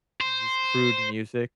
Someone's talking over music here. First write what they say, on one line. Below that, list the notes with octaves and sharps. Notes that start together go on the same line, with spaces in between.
just crude music
C5